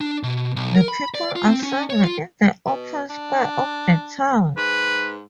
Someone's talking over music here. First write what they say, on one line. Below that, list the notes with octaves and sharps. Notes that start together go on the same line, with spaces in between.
The people assemble in the open square of the town.
D4
B2
B1
A#4
B5
D5
F4
C4
C#4
C#5
F4
B2
D4
G#2 B4